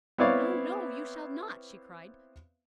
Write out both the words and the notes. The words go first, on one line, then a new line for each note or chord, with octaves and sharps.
"No, no; you shall not!" she cried.
B3 C4 E4 C#5 D5 F5